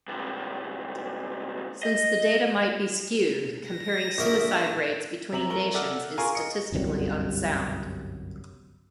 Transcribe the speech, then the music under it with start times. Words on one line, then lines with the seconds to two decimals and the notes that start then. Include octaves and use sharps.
Since the data might be skewed, comparing suicide rates between nations is statistically unsound.
0.08 C#2 G2
1.83 D#5
3.70 A#6
4.18 A#1 A#4 E5 D#6
5.32 C3 E5 A#5 F#7
5.50 A3 A#4 G7
5.74 A4 D5 E5 F#5 F6
6.17 F4 G#4 A#4 F5 G#5 C#6
6.35 D#5 C#7
6.72 G1 C2 F#2 G3